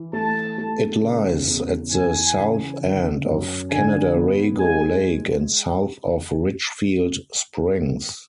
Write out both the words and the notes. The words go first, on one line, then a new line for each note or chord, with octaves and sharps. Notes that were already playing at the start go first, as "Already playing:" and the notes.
It lies at the south end of Canadarago Lake and south of Richfield Springs.
Already playing: E3
A3 A5
A3
C#3
E2
E3 G#5
C#3
D3
F#2
D3 G#5
B3
G#3 G#5